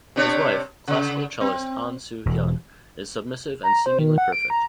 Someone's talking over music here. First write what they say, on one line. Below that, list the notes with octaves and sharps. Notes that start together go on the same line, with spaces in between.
His wife, classical cellist Han Soo-hyun, is submissive and seemingly perfect.
C3 D4 C#5
C#3
C4
E1
A#5
C5
D#3
F#5
D7
A#5